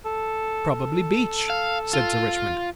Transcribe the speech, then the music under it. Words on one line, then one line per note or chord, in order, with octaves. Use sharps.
"Probably beech," said Sir Richmond.
A4
A4
F5
F4